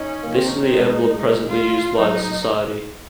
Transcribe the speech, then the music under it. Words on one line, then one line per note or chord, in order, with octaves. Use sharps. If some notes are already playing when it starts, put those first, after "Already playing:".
This is the emblem presently used by the society.
Already playing: C#4 D#4
A#3
C4
C#4 D#4
C4
G#3
F4
F#3 D#4